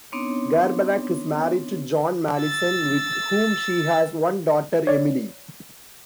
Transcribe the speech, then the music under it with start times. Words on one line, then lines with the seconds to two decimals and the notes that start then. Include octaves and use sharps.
Garbarek is married to John Mallison, with whom she has one daughter, Emily.
0.12 B3 C4 D4 D#4 C#5
2.37 E6 A6
4.87 C#5 D5